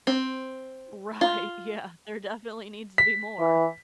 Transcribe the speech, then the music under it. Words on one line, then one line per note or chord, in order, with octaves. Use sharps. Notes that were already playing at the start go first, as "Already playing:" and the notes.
Right. Yeah. There definitely needs to be more.
C4
F4
B6
E3